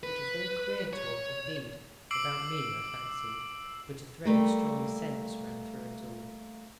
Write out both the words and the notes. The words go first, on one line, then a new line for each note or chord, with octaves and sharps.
It was very queer talk, indeed--about me, I fancied--but a thread of strong sense ran through it all.
B4
C#5
D6 E6 C7 D7 F#7
G3 A3 A#3